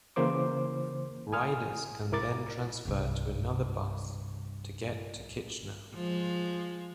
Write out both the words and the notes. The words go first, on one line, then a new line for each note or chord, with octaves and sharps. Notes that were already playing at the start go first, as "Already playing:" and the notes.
Riders can then transfer to another bus to get to Kitchener.
C#3 E3 A#3 C5 D6
G#5 D#6 F6
C2 E4 A#4 D6 A6
C2 G2
F3 G#3